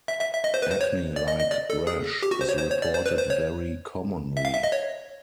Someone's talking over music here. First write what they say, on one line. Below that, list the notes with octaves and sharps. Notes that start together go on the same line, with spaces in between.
Acne-like rash is reported very commonly.
E5
E5
E5
D#5
C5
B4
C5
C#5
D5
D#5
D#5
D5
A4
G#4
G4
F#4
C5
C#5
C5
C#5
D5
C5
B4
C5
C#5
E5
F5
E5
D#5
C#5